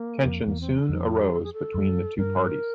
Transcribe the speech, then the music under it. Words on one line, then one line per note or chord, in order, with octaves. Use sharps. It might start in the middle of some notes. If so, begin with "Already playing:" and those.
Tensions soon arose between the two parties.
Already playing: A#3
F2
E2 A#3
C4
D4
F2 D#4
F4
G4
A4
G#4
A4
F#2
G2 A#4